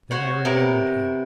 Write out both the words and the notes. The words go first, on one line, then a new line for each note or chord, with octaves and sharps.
Then I remembered him.
F#4 C5 C#5 F#5
C3 B3 A#4